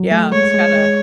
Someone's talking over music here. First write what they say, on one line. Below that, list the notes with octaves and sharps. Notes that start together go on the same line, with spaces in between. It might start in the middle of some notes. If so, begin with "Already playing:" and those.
Yeah, it's kinda
Already playing: F#3
A3
G#3 C#5
G#3
G#3